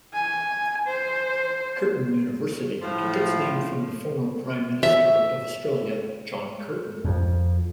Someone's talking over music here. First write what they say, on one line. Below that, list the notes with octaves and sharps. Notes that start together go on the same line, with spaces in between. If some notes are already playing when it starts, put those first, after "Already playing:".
Curtin University took its name from the former Prime Minister of Australia, John Curtin.
G#5
C5
A2 F3
E5
F2